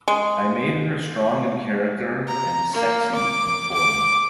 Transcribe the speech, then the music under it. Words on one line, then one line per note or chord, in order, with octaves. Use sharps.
I made her strong in character and sexy in form.
G#3
A#5
A#3
D6
D6